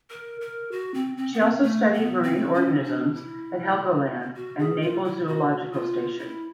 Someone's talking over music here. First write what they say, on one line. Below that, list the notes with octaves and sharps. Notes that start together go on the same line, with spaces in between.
She also studied marine organisms at Helgoland and Naples Zoological Station.
A#4
A#4
F#4
C4
C4
B3
C4
A3
B3
C4
C#4
D4
E4
F#4
G#4
F4
E4
F#4
F4
E4